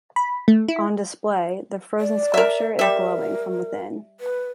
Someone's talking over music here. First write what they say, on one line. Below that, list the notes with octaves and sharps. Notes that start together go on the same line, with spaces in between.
On display, the frozen sculpture is glowing from within.
B5
A3
E4
D5
A#4 E5
G3 A#4 E5
B4